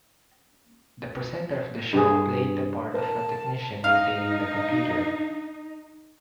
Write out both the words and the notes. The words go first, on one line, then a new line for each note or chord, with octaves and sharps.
The presenter of the show played the part of a technician maintaining the computer.
G2 G#4
A#4 A5
D#4 F5